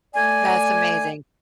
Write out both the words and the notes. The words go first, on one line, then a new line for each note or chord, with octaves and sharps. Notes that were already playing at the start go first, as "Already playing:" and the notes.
That's amazing.
A3 D5 G#5